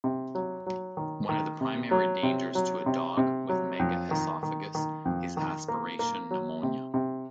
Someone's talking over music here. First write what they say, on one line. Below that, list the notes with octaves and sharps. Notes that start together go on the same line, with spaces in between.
One of the primary dangers to a dog with megaesophagus is aspiration pneumonia.
C3
F#3
F#3
D#3
D#3
C3
F#3
C3
F#3
C3
C3
F#3
F2
D#3
D#3
D#3
F2
D#3
A#3
A#3
F#3
C3
C3